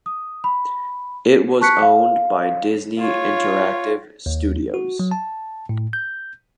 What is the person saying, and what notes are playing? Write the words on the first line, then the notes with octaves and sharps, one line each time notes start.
It was owned by Disney Interactive Studios.
D#6
B5
A5 C#6 F#6 B6 C#7
F5
F4 C#5
D#2
F#4
F#3
A5
A2
G6